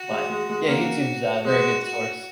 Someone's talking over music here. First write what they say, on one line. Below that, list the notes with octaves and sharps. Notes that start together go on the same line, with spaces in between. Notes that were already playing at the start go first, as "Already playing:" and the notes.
but yeah, YouTube's a very good source,
Already playing: F#4
G#3
G#3
G#3
A#3 F#4
G#3 F#4
F#4